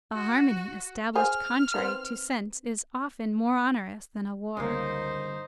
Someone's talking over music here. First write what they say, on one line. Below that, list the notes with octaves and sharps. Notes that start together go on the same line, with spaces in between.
A harmony established contrary to sense is often more onerous than a war.
F#4
G#4 C5 G#5 F6
D#3 B3 C4
G1 C#2 C#3 A#3 D#4 C5